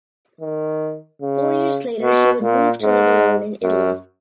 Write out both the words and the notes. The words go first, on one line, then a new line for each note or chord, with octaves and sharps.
Four years later she would move to live alone in Italy.
D#3
C#3
B2
A#2
G#2
F#2